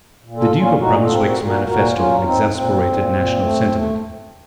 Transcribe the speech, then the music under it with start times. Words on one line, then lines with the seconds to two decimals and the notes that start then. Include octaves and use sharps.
The Duke of Brunswick's manifesto exasperated national sentiment.
0.23 A#2
0.36 F4 A4
0.51 A#2
0.58 C#4 F4
0.79 A#2 D#4 F#4
1.02 F4 A4
1.09 C4
1.23 F#4 A#4
1.38 A#2
1.45 F#4 A#4
1.67 A#2 F#4 A#4
1.96 F#3 C#4 F4
2.25 C4 D#4
2.54 A#2 C4
2.83 A#2
3.12 A#2
3.41 A3
3.71 A3